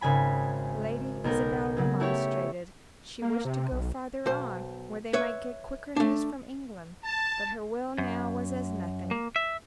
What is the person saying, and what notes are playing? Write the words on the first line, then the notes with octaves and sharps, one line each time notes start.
Lady Isabel remonstrated; she wished to go farther on, where they might get quicker news from England; but her will now was as nothing.
G#1 C#3 G#5 B5
B1 B3 A#4 G6
C#3 F#3
A3 E4 G4 C#5
A#3
C3
B1
B1 C5
B4 C#5 E5
A3 D4
A5
F#2
A#3
E5